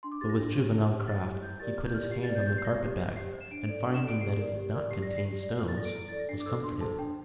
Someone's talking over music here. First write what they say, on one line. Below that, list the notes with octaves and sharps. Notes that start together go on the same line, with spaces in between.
But, with juvenile craft, he put his hand on the carpet-bag, and finding that it did not contain stones, was comforted.
D4 C6
D6
G4 C5 A6
A#6
D4
G4 C5
E4
G4 C5
E4 A6
G4 C5
E4 G6
G4 A#4 D5 A6
E4 F6
G6
G4 A#4 D5 F6
G4 C7
A6
D5
G6
A6
G4 G6
C7
D5 A#6
G4
C5
G4 C7
C5
E7
D4 D7
A4 D5
D4
E7
A4 D5 D7
G4 C7
A#4 D5
G4
A#4 D5
G4 C7
D5 A#6
C7
G4
D5
E4 F6
A6
A4 D5 A#6
D7
E4
A4 D5 A6
A#6
D4 C7
D6
A4 C5 E6
D4 C6
A4 C5 A5
D4 G5